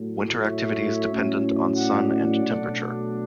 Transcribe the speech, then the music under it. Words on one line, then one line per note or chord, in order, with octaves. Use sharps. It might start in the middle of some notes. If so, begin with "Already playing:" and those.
Winter activity is dependent on sun and temperature.
Already playing: A2 F#3 A3
C#5 E5
A2 F#3 C#4
D5 F#5
D5 F#5
B2 F#3 A3 D4